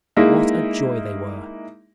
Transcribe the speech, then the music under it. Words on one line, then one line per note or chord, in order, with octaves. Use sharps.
What a joy they were!
G#3 A#3 D#4 E4